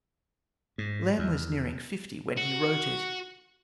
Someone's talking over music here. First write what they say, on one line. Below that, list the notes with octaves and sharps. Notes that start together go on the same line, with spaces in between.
Lamb was nearing fifty when he wrote it.
G#2
E2
F#4